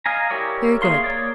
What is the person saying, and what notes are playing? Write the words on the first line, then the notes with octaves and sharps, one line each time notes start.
"Very good."
D#5 F5 G#5 A#5
E4 G4 A#4 C#5 D5
A#3 G#4 F5 C6
A#3 C#5 D5